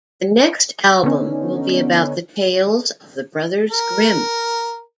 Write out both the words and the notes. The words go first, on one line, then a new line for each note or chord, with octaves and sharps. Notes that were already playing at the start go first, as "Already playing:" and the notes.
The next album will be about the tales of the brothers Grimm.
D3 B3 C#4 D#4
A#4